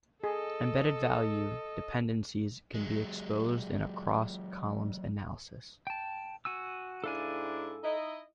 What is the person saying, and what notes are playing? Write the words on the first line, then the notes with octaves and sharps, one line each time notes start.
Embedded value dependencies can be exposed in a cross-columns analysis.
G#4 A4 D#5
F#3 G#3
G5 A5
F#4 G#5 E6
G#2 D4 E4 A4 F5 G#5
D#4 E4 D#5